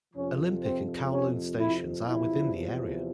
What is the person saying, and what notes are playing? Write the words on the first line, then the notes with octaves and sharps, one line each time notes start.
Olympic and Kowloon stations are within the area.
F2 C3 F3 C#4
C4
C#4
E4
E2 C3 F3 E4